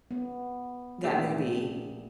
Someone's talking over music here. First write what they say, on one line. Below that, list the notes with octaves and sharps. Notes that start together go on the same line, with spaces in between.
that movie.
B3
A#1 A3 G4